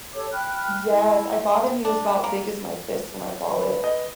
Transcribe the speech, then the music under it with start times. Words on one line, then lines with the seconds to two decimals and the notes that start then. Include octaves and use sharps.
Yes, I bought him he was about big as my fist when I ball it,
0.13 G4 A4 C#5 D6
0.31 G5 B5 F6 F#6
0.88 E4
1.85 D4
2.24 A#3
3.52 B4
3.84 D#5